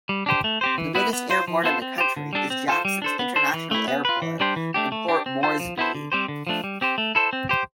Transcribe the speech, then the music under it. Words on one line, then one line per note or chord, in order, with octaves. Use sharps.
The biggest airport in the country is Jacksons International Airport in Port Moresby.
G3
D4 G4 C5
A3
C4 G4 C5
E3
B3 E4 B4
B3
F4 C5
F3
B3 F4 A4 C5
C4
G4 C5
D3
G3 D4 A4
C4
F4 A4 C5
G3
D4 A4 C5
B3
D4 A4 C5
E3
A3 E4
B3
F4 B4
E3
G3 D4 G4 C5
E3
A3 D4 G4
A3
D4 G4
C4
F4 A4 C5
F3
B3 E4 A4 C5
D3
G3 C4 G4 C5
D3
F3 A3 D4
G3
C4 G4 C5
A3
E4 A4 C5
C4
G4 C5